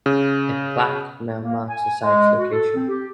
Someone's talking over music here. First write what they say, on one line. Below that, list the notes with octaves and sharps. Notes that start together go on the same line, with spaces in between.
A plaque now marks the site's location.
C#3
A#3
G#5
G#3
F#4
A4
C4
G4